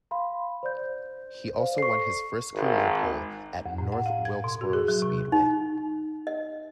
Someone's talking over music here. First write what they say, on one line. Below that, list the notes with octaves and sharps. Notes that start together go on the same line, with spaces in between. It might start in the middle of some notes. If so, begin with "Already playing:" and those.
He also won his first career pole at North Wilkesboro Speedway.
F5 B5 C6
C5 D5 G6
C5 D5 F5
A4 C#6 C7
G#1
F2
A2
F#5
F5
G#6
B2
F#4
G#4
F#3
C3
D#4
D#5